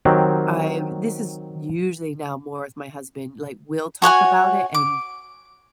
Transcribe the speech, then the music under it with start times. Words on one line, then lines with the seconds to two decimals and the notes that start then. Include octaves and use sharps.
I've this is usually now more with my husband, like, we'll talk about it, and
0.05 D#3 F#3 C4 G4
4.02 F#4 C#5 F#5 G#5
4.74 D6